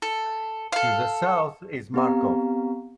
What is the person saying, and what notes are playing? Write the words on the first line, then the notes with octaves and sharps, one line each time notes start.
To the south is Markov.
A4
A4 F5
B3 C4 G4 F5 A#5